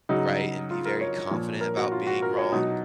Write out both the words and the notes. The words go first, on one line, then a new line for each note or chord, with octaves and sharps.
right? And be very confident about being wrong.
C#3 F#3 D#4
F4
A#4
C#5
A#2 F3
A#4
F#4
F4
F#4
A#4
C#5
B2 F#3 D#4